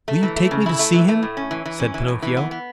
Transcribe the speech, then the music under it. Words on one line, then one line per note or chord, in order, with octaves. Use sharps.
"Will you take me to see him?" said Pinocchio.
A3
E3
A3
C#3
E4
A3
E3
A3
A2
C#4
E3
E3
C#4
E3
A2
E3
B3
B3